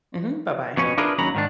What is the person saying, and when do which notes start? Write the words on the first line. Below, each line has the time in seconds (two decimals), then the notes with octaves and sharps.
Mhm, bye-bye.
0.77 F2 B2 C#4
0.98 D4 E4 F4 G#4 A#4 B4
1.18 D#2 F#3 C#4 A#5 B5
1.34 G#2 D#3 D4